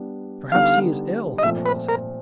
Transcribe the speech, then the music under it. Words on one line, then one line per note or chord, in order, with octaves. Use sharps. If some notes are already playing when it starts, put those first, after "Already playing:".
"Perhaps he is ill," Michael said.
Already playing: G3 B3 D4
D3 G3 B3 D#4 F5
D#5
A#2 F3 A3 C4 E5
B4
A#4